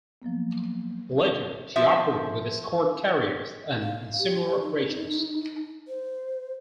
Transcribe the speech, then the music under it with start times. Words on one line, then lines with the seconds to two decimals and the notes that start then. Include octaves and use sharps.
Later, she operated with escort carriers and in similar operations.
0.22 F3 F#3 A#3 B3
1.76 F3 E5
3.82 F5
4.19 G4
4.62 D#4
5.88 C5